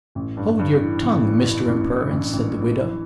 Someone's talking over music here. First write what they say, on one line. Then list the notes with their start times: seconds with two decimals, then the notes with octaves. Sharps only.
"Hold your tongue, Mr Imperence," said the widow.
0.15 A1
0.37 G2
0.59 G2
0.81 E3
1.02 A1
1.24 E3
1.45 E3
1.67 A1
1.89 E3
2.11 A1
2.33 A1
2.54 E3
2.76 E3